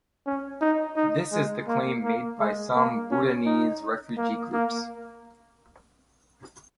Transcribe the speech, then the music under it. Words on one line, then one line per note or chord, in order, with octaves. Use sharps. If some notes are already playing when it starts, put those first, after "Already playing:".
This is the claim made by some Bhutanese refugee groups.
C#4
D#4
D#4
G#3
A#3
A#3
G#3
A#3
C#4
D#4
A#3
A#3